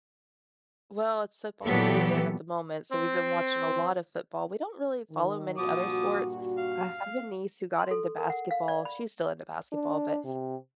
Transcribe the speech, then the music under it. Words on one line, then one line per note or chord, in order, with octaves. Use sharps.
Well, it's football season at the moment, so we've been watching a lot of football. We don't really follow many other sports. I have a niece who got into basketball. She's still into basketball, but
A#2 E3 F#3 B3 G4 A4
C4
D#3
G2 A#2 F3 F#4 D6 D#6
F5
C6
A4
A#4
F#5
F5
D5
B5
D4
C3